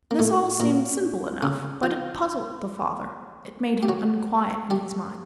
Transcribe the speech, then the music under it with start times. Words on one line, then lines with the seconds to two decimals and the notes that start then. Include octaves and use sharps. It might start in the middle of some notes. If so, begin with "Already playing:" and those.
This all seemed simple enough, but it puzzled the father, it made him unquiet in his mind.
0.11 A#3
0.19 A2 A3
0.60 A#2 A#3
1.43 C#3 C#4
1.83 F3 F4
3.83 G4
3.89 F#3 F#4
4.70 G3 G4